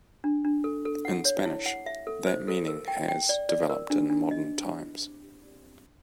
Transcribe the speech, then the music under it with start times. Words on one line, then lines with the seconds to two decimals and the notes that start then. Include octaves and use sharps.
In Spanish, that meaning has developed in modern times.
0.24 D4
0.45 D4
0.64 A4
0.85 A4
1.05 F#5
1.25 C#5
1.45 E4
1.66 F#5
1.86 E5
2.07 A4
2.27 C5
2.48 A4
2.68 A#4
2.88 G5
3.09 G5
3.29 D5
3.49 D5
3.70 A#4
3.90 D4
4.10 D4
4.31 D#5